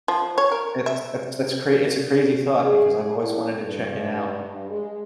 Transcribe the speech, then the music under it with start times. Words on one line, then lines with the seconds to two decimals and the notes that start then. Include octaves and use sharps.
It's that's that's cra it's a crazy thought because I've always wanted to check it out.
0.08 F3
0.38 C#5
0.52 A#4
0.86 E5
2.63 G#4
3.21 A2
3.61 G2
4.69 G#3